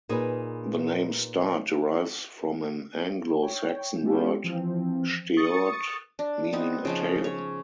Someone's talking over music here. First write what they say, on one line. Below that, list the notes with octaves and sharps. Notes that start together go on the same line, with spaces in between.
The name "Start" derives from an Anglo-Saxon word "steort", meaning a tail.
A#2 D#4 G#4 A#4 B4
C#5 G5
G#3 B3 C#4 F4 G4 A4
E3 F3 C4
C#6 D#6 A6 C#7
D4
B3 C4 D#4
C#3 F3 D#4
C#5